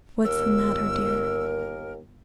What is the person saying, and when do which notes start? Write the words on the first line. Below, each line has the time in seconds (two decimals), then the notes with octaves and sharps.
"What is the matter, dear?"
0.25 G1 D#2 A#4 E6